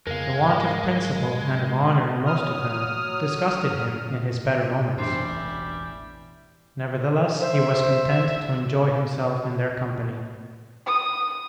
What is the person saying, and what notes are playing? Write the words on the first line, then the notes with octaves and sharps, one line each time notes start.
The want of principle and of honour in most of them disgusted him in his better moments; nevertheless he was content to enjoy himself in their company.
F2 C#3 G#3 B3 A#4 F5
G#2
F#3 D#6 F6
G4
F#2 E3 G3 C4 D4
E1 A1 E5
C5 E5
D#6